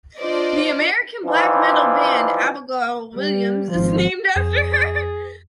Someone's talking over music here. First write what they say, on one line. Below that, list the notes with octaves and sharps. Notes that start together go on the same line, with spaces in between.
The American black metal band Abigail Williams is named after her.
D4 F4 C5 D5 D#5
E3 F3 G3 D#4 F4
G3
G#1 F3
F2 G#4